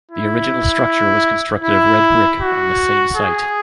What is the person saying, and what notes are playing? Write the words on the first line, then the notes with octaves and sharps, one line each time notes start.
The original structure was constructed of red brick on the same site.
E4
E4
F#4
G#4